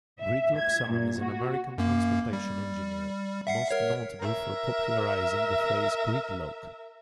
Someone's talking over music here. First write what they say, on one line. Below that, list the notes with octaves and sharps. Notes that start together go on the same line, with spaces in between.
Gridlock Sam, is an American transportation engineer, most notable for popularizing the phrase "gridlock".
E5
G#6
A#2
F#4
F#2 A#3
G3
E5 F#5 C7
A#4 C#5
A#4 E5